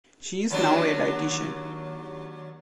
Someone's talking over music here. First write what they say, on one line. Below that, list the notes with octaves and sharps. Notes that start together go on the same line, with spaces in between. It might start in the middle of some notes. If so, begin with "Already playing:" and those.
She is now a dietician.
D#2 F#3 D4